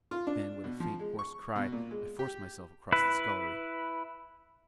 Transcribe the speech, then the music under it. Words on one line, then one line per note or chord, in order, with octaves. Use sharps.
Then, with a faint, hoarse cry, I forced myself across the scullery.
F4
D4
B2
F3
G#3
C#6
B2
A#2
G#3
G4
E4 B4